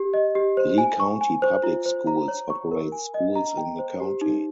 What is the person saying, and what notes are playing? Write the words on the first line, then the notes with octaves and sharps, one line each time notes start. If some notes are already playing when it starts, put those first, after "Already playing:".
Lee County Public Schools operates schools in the county.
Already playing: G4
D#5
G4
C5
G#5
C#6
G#5
C5
F4
C5
A#5
C#5
C#6
A#4
G#5
D#5
A#5
G5
C5
G4
D#4